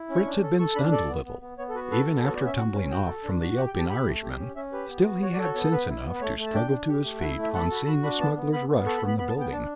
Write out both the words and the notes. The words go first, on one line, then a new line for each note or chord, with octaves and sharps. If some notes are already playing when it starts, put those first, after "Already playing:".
Fritz had been stunned a little, even after tumbling off from the yelping Irishman; still, he had sense enough to struggle to his feet on seeing the smugglers rush from the building.
Already playing: E4
C#4
C#6
D4
A4
A4 C#6
D4 B5
A4 D5
B3
B3
B3
B3 C#5
A4
F#4 B4
A4 B4
B3
F#4 C#5
D5
C#4
E5
F#4 F#5
C#4
F#4 G5
A4
D4
F#4
G4 F#5
G5
G4
A5
G4 B5
A3
G4
C#4
C#4 E5
G4 B4
B3
F#4
F#4 C#5
D5
A4
C#5
B3 C#5
B3 B4
E4
B3
B4
A3 C#5
A3
A5
D4 G5
D4
G4
A3
E4 F#5
E5
A3
E5
A4 F#5
B5
A5
F#4
B5
F#4 B5
D4 B5
B3 A5
B3
B3 B5
B3
A4 C#6
B5
B3
B5
B3 B5
A5
B3 G5
D4 A5